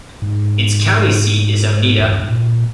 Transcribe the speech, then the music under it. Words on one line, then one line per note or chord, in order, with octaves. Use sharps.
Its county seat is Onida.
G#2
E2
G2
G#2
A#2